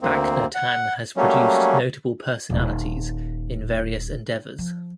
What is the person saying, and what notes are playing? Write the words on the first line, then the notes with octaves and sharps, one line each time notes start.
Bacnotan has produced notable personalities in various endeavors.
D2 A#3 C4
F#5
F#3 G3 A3 A#3 C#4
D#1
F3